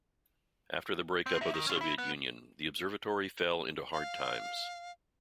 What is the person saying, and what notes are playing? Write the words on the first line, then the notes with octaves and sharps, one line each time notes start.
After the breakup of the Soviet Union, the observatory fell into hard times.
C4
D#4 E5
D#3
C#4 F4
E4
B3
F5